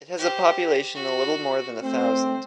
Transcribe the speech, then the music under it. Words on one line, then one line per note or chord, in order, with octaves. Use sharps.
It has a population a little more than a thousand.
G4 C5
F#4
A3 C4 C5